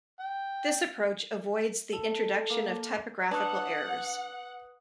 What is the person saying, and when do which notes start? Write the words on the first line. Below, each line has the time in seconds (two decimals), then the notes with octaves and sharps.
This approach avoids the introduction of typographical errors.
0.20 G5
1.93 A4
2.50 A#3
3.31 F#3 D4 B4 F#5 D#6 F#6